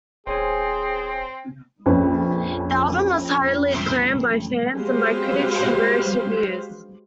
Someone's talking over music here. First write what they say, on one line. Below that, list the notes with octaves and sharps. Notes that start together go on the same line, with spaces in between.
The album was highly acclaimed by fans and by critics in various reviews.
D#1 C4 G#4 C5 C#5 G#5
A#1 F2 C4 C#4 B4
F#3 G#3 G4 B4 C5 F5